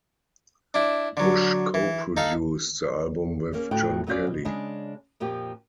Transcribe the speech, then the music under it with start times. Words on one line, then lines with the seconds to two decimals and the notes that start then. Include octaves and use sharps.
Bush co-produced the album with Jon Kelly.
0.74 D4 E4
1.17 D3 F#3
1.74 E3
2.17 D#4 A4 F5
3.53 A#3 C#4
3.71 D2 A2 F#4 G5
4.07 F#3 B3 C#4 F4 F#4 D5
4.27 B2
4.45 C#3 G#3 D4 G#5
5.20 F2 A#2 F3 G4